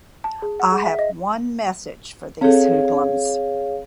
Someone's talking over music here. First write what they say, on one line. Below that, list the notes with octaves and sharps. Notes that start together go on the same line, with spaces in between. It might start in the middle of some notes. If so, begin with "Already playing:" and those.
I have one message for these hoodlums.
A5
G#4
F#5
G#4
E5
D#5
C4 G#4 A4 C#5 F5